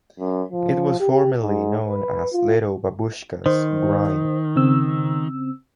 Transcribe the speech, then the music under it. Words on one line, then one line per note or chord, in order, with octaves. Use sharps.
It was formerly known as Little Babooshka's Grind.
F#2
F3
G4
G#2
B4
F4
D#3 C5
C#3 C4 E6